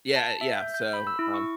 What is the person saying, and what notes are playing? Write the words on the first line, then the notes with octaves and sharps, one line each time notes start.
Yeah, eh yeah, so, um
A5
E5
G6
G6
B5
E6
E4
C#6